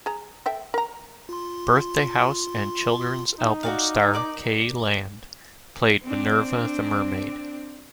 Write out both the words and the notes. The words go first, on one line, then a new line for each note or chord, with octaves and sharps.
"Birthday House" and children's album star Kay Lande played Minerva the Mermaid.
G#4 A#5
A4 E5 G5
A#4 A#5
F4 C6
D#4
F#4 D5 F5
A#4 D5 D6
C4 D4